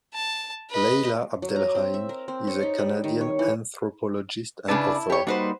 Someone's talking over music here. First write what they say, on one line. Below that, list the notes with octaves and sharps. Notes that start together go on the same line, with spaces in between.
Layla AbdelRahim is a Canadian anthropologist and author.
A5
B4 D#5
F#3
A#5
C4
E5
A#4
C4
C#5
D#4
G3
D#3
C#5
E3
C#3 D4 E4 B4 A5
G4 C#5
G3 A#3 D#4 F#4 B4 C5